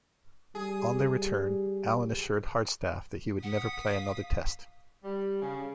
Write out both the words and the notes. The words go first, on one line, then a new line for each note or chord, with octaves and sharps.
On their return, Allen assured Hardstaff that he would never play another Test.
G3 G#4
F#5 D#6 B6
F5
G3
C#3